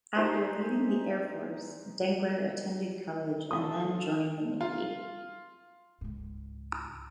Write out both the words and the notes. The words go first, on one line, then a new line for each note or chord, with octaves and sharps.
After leaving the Air Force, Dengler attended college and then joined the Navy.
D#4 G4 G#4 C5 E5 G#5
D4 F4 A4 D#6
F4
C#2 G#2